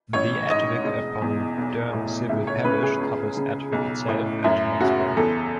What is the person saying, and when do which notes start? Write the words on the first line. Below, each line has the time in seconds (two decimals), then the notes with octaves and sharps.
The Adwick upon Dearne civil parish covers Adwick itself and Mexborough.
0.13 A1 C#5
0.50 G#2 D#5
0.85 E1
1.22 E2
1.58 B1
1.93 A2
2.29 C#2 E5
2.47 C#5
2.64 C#3 B4
2.83 G#4
3.01 C#2
3.37 C#3
3.72 B1
4.09 A2
4.44 F#2 E4
4.80 C#3 F#4
5.17 E2 A4